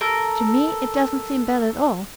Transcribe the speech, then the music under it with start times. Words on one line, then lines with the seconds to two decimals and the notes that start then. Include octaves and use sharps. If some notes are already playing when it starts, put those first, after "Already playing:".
To me, it doesn't seem bad at all.
0.01 A4 A#4